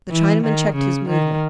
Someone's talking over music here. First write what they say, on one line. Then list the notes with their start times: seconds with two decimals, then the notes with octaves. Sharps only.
The Chinaman checked his movement.
0.10 E3
0.44 D#3
0.76 C#3
1.09 D#3